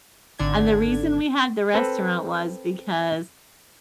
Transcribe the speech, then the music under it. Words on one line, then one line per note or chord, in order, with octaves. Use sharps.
and the reason we had the restaurant was because
G#1 D3 D4 G#6
C4 A4 B4